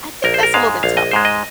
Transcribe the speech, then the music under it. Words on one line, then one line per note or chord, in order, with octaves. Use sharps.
I think that's a little bit tougher,
A#1 A#4
C5
A#4
G#2 G#3 F5
A#1 F5
D#5
G#2 G#3 C5
D#5